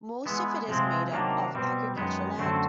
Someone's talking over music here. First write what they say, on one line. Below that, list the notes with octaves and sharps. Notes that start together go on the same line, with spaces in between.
Most of it is made up of agricultural land.
E3 G#3 B3
C3 F3 G#3 C4
C3 D#3 F#3 A#3 D4
B2 G3 C4
F#2 D#3 G#3 B3
F#2 D3 F#3 A3 C4